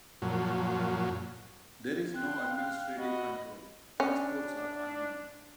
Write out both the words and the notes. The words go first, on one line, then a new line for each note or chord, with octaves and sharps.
There is no administrative control; passports are unknown.
F#2 A#2 F3 F#3
G5 C6 F#6
F5
F#4 D#5 B5
C#4 D4